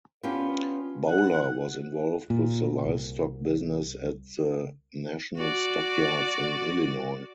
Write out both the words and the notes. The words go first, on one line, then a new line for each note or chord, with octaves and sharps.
Bowler was involved with the livestock business at the National Stock Yards in Illinois.
B3 C#4 D4 F4 G4
F#5
A#2
C2
F#4 D5